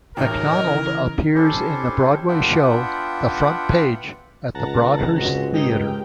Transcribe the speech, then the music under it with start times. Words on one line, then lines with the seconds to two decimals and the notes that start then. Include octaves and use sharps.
McDonald appears in the Broadway show "The Front Page" at the Broadhurst Theater.
0.17 E1 A1 D#4 A#4
0.64 C#3 E3
1.35 C#4 D4 E4 G4 A4 C5
2.28 B3 D4 F4 E5 F#5 G5
4.55 C#2 F#5 A5 A#5
5.16 G#2 C#3 B3 C4 F#4
5.54 G#2 G#3 G4 A#4 D#5 G5